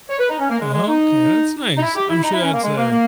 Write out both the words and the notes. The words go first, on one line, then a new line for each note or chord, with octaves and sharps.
Okay, that's nice. I'm sure that's, uh,
C#5
B4
D#4
C#4
A#3
G#3
G#3
D#4
D#4
E4
G4
E4
D#4
E4
C#4
A#3
G#3
A#3
A#3